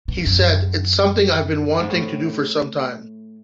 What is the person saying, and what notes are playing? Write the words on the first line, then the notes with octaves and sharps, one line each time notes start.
He said, It's something I've been wanting to do for sometime...
B2
F#2
G#2
A2